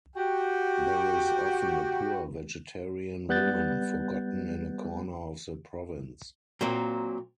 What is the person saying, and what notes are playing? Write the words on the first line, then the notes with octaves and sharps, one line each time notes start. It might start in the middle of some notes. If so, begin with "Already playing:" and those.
There is often a poor vegetarian woman forgotten in a corner of the province ...
F#4 G4 G5
G3 B3 F#6 G6 A6
A#2 F#3 A#3 C4